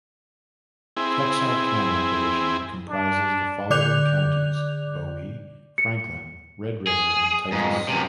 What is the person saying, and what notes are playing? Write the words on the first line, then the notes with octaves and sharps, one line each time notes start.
Texarkana Division comprises the following counties: Bowie, Franklin, Red River, and Titus.
C4 E4 G#4
D4
D3 D5 D6 F#6 G6 F7
C#7
G#4
F2 G#2
F#2 C3